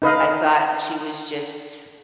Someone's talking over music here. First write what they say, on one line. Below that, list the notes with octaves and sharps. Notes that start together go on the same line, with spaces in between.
I thought she was just
D#4 B4 D#5 F5